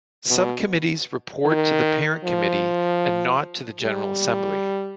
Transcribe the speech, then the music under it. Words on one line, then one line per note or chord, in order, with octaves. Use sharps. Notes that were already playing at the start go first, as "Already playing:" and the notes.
Subcommittees report to the parent committee and not to the general assembly.
B2
D#3
F3
G3